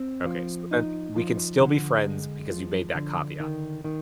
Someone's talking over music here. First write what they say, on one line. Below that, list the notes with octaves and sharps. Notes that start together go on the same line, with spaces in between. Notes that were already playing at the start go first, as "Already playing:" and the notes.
Okay, so then, we can still be friends because you made that caveat.
Already playing: C4
F3
D#4
F3
D3
G#3
F3
D3
D#3
D#3